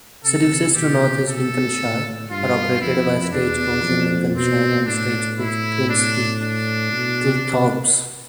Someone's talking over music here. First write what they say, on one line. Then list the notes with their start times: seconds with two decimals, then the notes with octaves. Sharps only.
Services to North East Lincolnshire are operated by Stagecoach in Lincolnshire and Stagecoach Grimsby-Cleethorpes.
0.25 C3 A4
0.76 B2 G4
1.27 B2 A4
1.78 A2
2.30 G2 F4
2.81 F2 E4
3.33 E2 D4
3.84 F2
4.35 B2 C4
4.87 A2 D4
5.38 E4
5.89 D4
6.41 D4
6.92 B2
7.43 C3